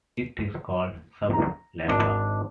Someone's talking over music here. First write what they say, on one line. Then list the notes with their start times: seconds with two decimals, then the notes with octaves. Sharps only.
It is called Sub Leffa.
1.33 A#5
1.88 G#1 D4